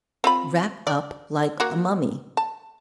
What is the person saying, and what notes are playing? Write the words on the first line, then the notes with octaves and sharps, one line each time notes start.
Wrap up like a mummy.
C4 F4 B5
D5
A#3 F#4
A5